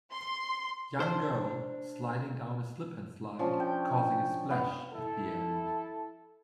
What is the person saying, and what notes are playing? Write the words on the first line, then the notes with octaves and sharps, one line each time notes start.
Young girl, sliding down a slip and slide causing a splash, at the end.
C6
D4 C5
F3 C#4 D4
G5
B3 F5
E4 A4